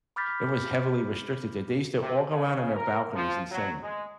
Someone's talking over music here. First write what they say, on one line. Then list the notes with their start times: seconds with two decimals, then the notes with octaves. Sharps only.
it was heavily restricted there. They used to all go out on their balconies and sing.
0.16 B5 D6 F6 G6 A6 B6
2.01 C3
2.30 C#3
2.75 A#4
3.15 F3
3.52 F#3
3.83 G#3